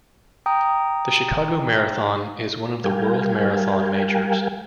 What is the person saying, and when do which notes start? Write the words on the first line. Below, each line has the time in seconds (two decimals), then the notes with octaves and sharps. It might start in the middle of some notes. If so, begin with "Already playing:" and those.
The Chicago Marathon is one of the World Marathon Majors.
0.46 G5 A#5 D#6
2.84 G3 A#4 F5 G5 G#5